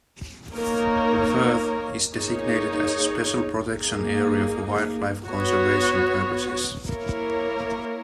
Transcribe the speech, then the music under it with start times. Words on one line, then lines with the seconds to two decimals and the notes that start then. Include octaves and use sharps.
The firth is designated as a Special Protection Area for wildlife conservation purposes.
0.56 A#3 D#4 A#4 C#5
2.13 A#3 D#4 G#4 C#5
3.70 A#3 D#4 G#4
5.28 B3 F#4 C#5
6.86 A#3 E4 A#4 C#5